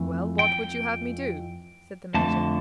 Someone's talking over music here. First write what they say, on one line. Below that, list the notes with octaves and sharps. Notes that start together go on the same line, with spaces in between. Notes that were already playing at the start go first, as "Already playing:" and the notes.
"Well, what would you have me do?" said the major.
Already playing: F2 E3 A3
G5
F2 D3 A3 A5